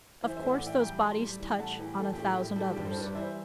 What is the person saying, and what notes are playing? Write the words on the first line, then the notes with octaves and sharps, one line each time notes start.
Of course those bodies touch on a thousand others.
E3 C5 E5
C5 E5
A2
D5 F#5
E3
E5 G5
G3 G5 B5
A2 A5 C6
G3
E3
A2 F#5 A5
E3 G4 B4
A2 A4
A2 G4
G4
A2
G4
G3 A4
G4
G2
A4 C5
G3
B4 D5
E3 C5 E5